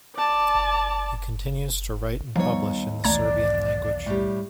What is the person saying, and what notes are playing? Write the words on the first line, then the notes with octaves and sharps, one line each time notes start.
He continues to write and publish in the Serbian language.
D5 A5
D#2 F3 G3 A3 B3 C#5
B1 E2 A3 D5 A#5 G#6
A2 G3